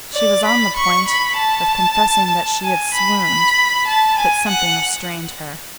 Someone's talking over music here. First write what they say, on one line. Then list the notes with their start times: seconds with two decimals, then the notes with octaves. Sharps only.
She was on the point of confessing that she had swooned, but something restrained her.
0.14 D5
0.45 B5
0.76 C#6
1.08 B5
1.38 A5
2.63 G#5
2.94 B5
3.25 B5
3.87 A5
4.18 G#5
4.49 F#5